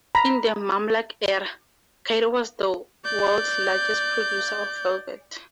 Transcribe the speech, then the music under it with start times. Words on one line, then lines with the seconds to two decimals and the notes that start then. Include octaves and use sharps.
In the Mamluk era, Cairo was the world's largest producer of velvet.
0.15 A#5 B5
3.05 D5 G6